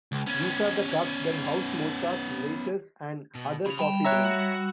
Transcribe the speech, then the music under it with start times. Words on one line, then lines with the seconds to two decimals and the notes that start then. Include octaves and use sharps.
These are the cups that house mochas, lattes, and other coffee drinks.
0.12 C#2
0.27 B3 C#4
3.35 B2
3.66 C#3 B5 F7
3.79 G3 G5 B5 E7
4.05 C#5 E5 A#5 E6 F#6
4.24 F#4